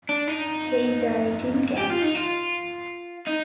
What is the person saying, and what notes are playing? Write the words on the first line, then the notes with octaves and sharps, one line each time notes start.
He died in Ghent.
D4
D#4
G4
F4
D#4
F4
D#4